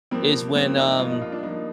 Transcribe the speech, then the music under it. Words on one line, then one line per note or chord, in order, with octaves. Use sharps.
is when, um
G2 F3 A#3 C4
G2 F3 A#3 C4
D#4
D#4
G2 F3 A#3 F4
D#4
F4
D4
G2 F3 A#3 D#4